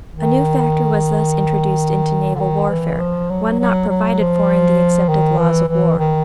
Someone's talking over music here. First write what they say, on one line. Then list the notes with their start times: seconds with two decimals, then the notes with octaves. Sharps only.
A new factor was thus introduced into naval warfare, one not provided for in the accepted laws of war.
0.15 D#3
2.35 D3
2.40 D#3
2.70 E3
2.99 F3
3.30 F#3
3.59 F#3
3.89 F#3
4.19 F3
5.09 D#3
5.39 E3
5.69 E3
5.98 D#3